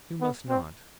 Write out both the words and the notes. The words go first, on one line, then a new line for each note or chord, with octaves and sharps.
You must not.
B3
C4